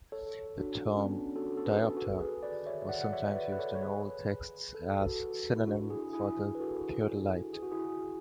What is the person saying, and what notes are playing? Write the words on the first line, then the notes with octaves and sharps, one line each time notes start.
The term "diopter" was sometimes used in old texts as a synonym for theodolite.
A4 C#5
D4 F#4
C#4
B3 D4
F#4 A4
A4
G#4 B4
F#4 A4
G#4 B4
B4 D5
C#5 E5
D5 F#5
F#5
C#5 E5
B4 D5
B4
A4 C#5
C#5
G#4 B4
A4
B4
F#4 A4
E4
D4 F#4
E4 G#4
E4 G#4
B4
F#4 A4
G#4
F#4
E4 G#4